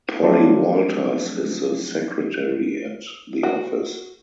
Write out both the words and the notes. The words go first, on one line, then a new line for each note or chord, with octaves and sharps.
Polly Walters is the secretary at the office.
F3 F#3 A3 C4 D4
F#4